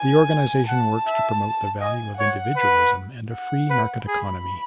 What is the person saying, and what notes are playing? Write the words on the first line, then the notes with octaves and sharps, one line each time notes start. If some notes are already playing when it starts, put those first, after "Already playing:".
The organization works to promote the value of individualism and a free market economy.
Already playing: G#5
F#5 A5
E5
D#5 G#5
C#5 F#5
B4
F#5
B4
G#4 B5